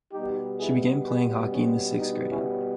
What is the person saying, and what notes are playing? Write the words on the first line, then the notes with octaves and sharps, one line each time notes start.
She began playing hockey in the sixth grade.
B2 G3 B3 D#4 G4
E4 G#4
G#4 B4
C#4
D#4
C#4 E4